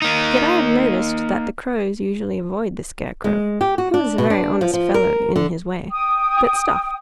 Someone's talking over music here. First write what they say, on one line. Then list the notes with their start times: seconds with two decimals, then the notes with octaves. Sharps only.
Yet I have noticed that the crows usually avoid the Scarecrow, who is a very honest fellow, in his way, but stuffed.
0.02 A#3 D#4
3.24 G#3
3.61 G4
3.78 F#4
3.94 D4
4.18 B2
4.30 D4
4.61 F3
4.73 F3
4.94 A#4
5.36 D3
5.90 G5 D#6